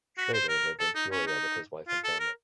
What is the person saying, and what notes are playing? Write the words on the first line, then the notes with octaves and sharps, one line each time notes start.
Schraeder lived in Peoria with his wife and family.
F#4
C5
A#4
A4
D#4
C#4
D#4
F4
A4
A#4